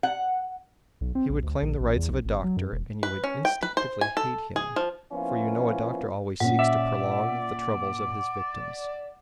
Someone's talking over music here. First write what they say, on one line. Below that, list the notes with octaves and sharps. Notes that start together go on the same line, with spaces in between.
He would claim the rights of a doctor and you would instinctively hate him, for you know a doctor always seeks to prolong the troubles of his victims.
F#5
B1
C4
A#1
D2
A#1
A1
E2
B1
G#1
F#3
F#2
E1
B4
C#4
G5
B4
C5
G#5
A4
G#4
F3
F3 A#3 B3 C#4 E4 F4
A#2 C#4 F#5
D5 E5